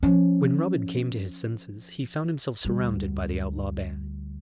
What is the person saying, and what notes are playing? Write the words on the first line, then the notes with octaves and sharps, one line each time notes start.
When Robin came to his senses he found himself surrounded by the outlaw band.
F3 C#4
D2 G3